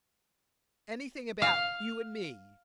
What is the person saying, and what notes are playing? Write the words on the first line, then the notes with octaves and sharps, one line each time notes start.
"Anything about you and me?"
F5